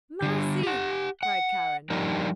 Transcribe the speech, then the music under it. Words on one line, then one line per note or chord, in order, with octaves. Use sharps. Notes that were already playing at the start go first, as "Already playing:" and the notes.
"Mercy!" cried Karen.
D3 G3
G4 F#5
F#5
F3 G3 D4 D#4 G4 A#4